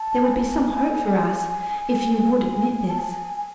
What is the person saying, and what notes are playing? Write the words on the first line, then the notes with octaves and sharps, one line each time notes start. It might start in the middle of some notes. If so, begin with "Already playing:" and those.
There would be some hope for us if you would admit this.
Already playing: A5
G#5
A5
G#5
G#5